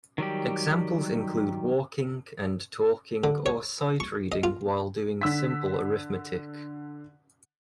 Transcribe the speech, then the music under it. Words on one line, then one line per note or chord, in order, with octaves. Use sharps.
Examples include walking and talking or sight reading while doing simple arithmetic.
D#3 F#3 G3 G4
D3
C#5
C#6
D#5
F4
D3 E6 B6